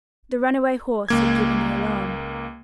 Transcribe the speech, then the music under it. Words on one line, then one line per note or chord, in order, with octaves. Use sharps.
The runaway horse had given the alarm.
C#2 A#3 G#6